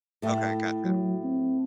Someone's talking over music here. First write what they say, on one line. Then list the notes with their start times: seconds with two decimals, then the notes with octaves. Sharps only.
Okay, gotcha.
0.22 A2 A3
0.84 F#3
1.24 C4